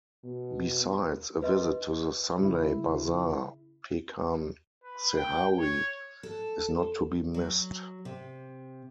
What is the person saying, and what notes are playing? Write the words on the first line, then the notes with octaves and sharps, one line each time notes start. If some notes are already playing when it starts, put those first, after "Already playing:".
Besides, a visit to the Sunday Bazaar "Pekan Sehari" is not to be missed.
B2
B4 D#5 C6
C#3 E4
B4
G5
C#5
A4
F#3
C3